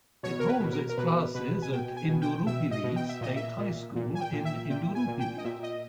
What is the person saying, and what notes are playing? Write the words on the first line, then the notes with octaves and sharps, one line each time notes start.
It holds its classes at Indooroopilly State High School in Indooroopilly.
B2 C#5
A#4
B4
B2
A#4
A#4
B2 B4
B2 B4
G#5
B2 G5
G#5
B2
G5
B2 E5
D#5
B2
G5
E5
A#2 D#5
E5
A#2
A#2
G#5
G5
A#2
E5
A#2 G5
G#5
A#2
G5
D#5
A#2 E5
D#5